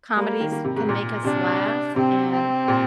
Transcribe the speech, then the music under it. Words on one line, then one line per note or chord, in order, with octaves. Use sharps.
comedies can make us laugh, and,
G3 A#3
D#3
D#3
C3
G#2
A#2
C3 D4
C3 C4
C4
A#2